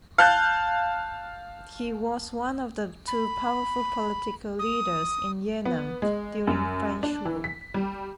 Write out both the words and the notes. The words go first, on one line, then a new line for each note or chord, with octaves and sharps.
He was one of the two powerful political leaders in Yanam during French rule.
F5 A5 F#6 G6
B5
D#6
B3
G#3
F#2
D4
E3
B6
G3